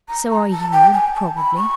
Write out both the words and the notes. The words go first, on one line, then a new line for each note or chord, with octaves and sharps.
So are you, probably.
A#5
A#5
A5
G5
G#5
A5
B5
C#6